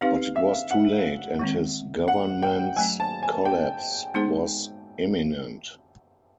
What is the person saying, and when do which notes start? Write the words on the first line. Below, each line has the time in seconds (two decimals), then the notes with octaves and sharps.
But it was too late, and his government's collapse was imminent.
0.01 C4 D#4 G4 B4 F5
0.36 E5
0.71 F#5
1.39 D#3 G#3 C4
2.08 F#5
2.43 G5
2.76 F#3 A3 C#4 G#5
3.00 A5
3.23 G#5
3.45 G5
4.14 G#3 B3 D#4 G#4 C5